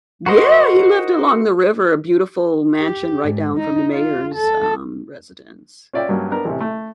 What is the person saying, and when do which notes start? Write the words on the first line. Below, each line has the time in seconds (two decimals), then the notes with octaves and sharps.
Yeah! He lived along the river, a beautiful mansion right down from the mayor's, um, residence, yeah,
0.26 F#4 A#4 C5 D#5
2.79 G4
3.24 G#2
3.57 D#4
3.92 F4
4.35 A4
5.93 C#4 F4 D5 E5 G5
6.09 G2 F#3 A#3 C#4
6.31 B3 D4 A#4
6.45 A1 C3
6.60 A3